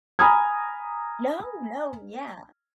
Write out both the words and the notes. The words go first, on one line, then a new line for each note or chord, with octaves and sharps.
No, no, yeah.
G#5 A#5 B5 D#6 F6 G#6